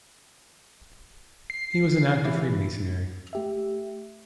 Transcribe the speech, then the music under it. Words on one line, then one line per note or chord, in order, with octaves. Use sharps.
He was an active Freemasonry.
C7
E3
A3 G4 E5